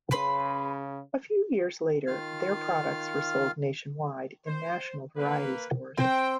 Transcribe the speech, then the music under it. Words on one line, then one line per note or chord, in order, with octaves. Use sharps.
A few years later their products were sold nationwide in national variety stores.
C#3 B4 B5 C6
D#3 F4 F5 F6
C5
A#3 B4
C4 C5 G5